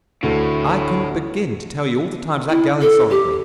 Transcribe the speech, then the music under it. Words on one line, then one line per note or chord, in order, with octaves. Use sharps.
I couldn't begin to tell you all the times that girl insulted me.
D2 A2 A4
E4
A4
G4